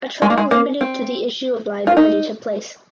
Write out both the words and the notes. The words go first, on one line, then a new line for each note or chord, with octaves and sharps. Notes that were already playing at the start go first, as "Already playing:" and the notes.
A trial limited to the issue of liability took place.
G#3
A#3
G#3
A#3
C4
F4
D#4